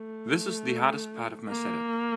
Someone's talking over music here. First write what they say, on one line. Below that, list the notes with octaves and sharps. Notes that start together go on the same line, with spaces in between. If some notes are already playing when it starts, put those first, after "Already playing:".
This is the hardest part of my setup.
Already playing: A3
A#3